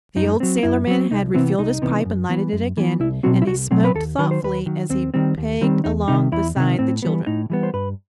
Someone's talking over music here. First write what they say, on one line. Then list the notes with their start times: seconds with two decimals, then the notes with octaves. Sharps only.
The old sailorman had refilled his pipe and lighted it again, and he smoked thoughtfully as he pegged along beside the children.
0.16 F#2 D#4
0.40 F#3 C4
0.63 F#2 E4
0.87 F#3 C4
1.11 C2 D#4
1.34 C3 E3 B3 C4
1.58 C2 D#4
1.82 C3 E3 B3
2.05 F#2
2.29 E3 B3
2.52 F#2
2.77 E3 B3
3.00 C2 E4
3.23 B2 F#3 C4 F#4
3.42 E4
3.47 C2 F#4
3.71 B2 F#3 C4
3.84 B4
3.94 D#2 A4
4.18 D#3 F#3 B4
4.31 C5
4.43 D#2 B4
4.66 D#3 F#3
4.89 D#2 C4
5.14 D#3 G3 C4
5.38 D#2
5.61 D#3 G3 C4
5.84 E2 D#4
6.08 C3 D#3 D#4
6.32 E2 E4
6.56 C3 D#3
6.79 A2 C4
7.02 E3 G3 B3
7.27 A2 D#4
7.50 E3 G3 B3
7.63 C5
7.73 G2 B4